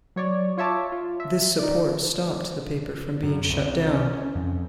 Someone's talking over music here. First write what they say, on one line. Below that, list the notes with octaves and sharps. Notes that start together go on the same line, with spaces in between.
This support stopped the paper from being shut down.
F#3 C#5 D5
F4 C#5 E5 A5 D6
F4
E5
D#4 D5
F#2
C2
C#4
F2